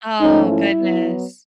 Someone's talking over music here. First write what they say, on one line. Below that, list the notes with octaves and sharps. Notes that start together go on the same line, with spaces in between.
Oh goodness.
G#2 F3 A3 C#4 D#4
E4
F#3 B3